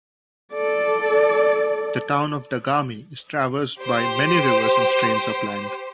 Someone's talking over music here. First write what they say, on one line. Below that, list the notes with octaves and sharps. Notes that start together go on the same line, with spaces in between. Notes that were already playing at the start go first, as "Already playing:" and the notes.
The town of Dagami is traversed by many rivers and streams upland.
A4 D5
G4 C5